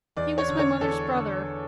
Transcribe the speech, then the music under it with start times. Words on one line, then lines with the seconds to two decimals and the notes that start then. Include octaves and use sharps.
He was my mother's brother.
0.17 E2 D5
0.38 C#5
0.48 D3
0.59 C#5
0.81 E2 A4
1.13 D3